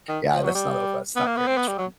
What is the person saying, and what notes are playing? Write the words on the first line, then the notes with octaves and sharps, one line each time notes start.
Yeah, that's not o that's not very much fun.
D#3
F3
F#3
G3
B3
A#3
B3
C4
B3
G3
F#3